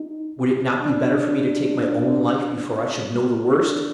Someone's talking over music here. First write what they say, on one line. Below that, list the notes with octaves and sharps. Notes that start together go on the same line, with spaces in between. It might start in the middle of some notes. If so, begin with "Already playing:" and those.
Would it not be better for me to take my own life before I should know the worst?
Already playing: D#4
D4
D4